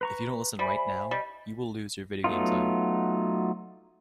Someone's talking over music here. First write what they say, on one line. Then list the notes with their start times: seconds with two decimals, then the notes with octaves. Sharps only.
If you don't listen right now, you will lose your video game time.
0.01 B4 A#5 C#6
0.59 G3 C5 E5 G#5 B5
1.11 G3 D#5
2.24 F#3 A3 B3 D#4 F4